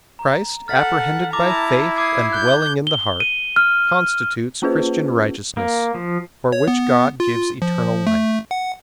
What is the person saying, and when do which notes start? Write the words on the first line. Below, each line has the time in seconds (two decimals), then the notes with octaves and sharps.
Christ, apprehended by faith and dwelling in the heart, constitutes Christian righteousness, for which God gives eternal life.
0.19 A#5
0.68 A4 F#5 F6 A6 B6
1.33 E4 A5 A#5 D6
1.96 D6 D#6 G#6 C7
2.33 F#6 G6
2.87 G7
3.20 D#7
3.56 F6
4.62 A#3 C#4 F4 G#4 B4 C5
5.57 A#3
5.94 F3
6.52 C#5
6.68 B3
7.20 F4
7.62 F3
8.07 A3
8.51 F#5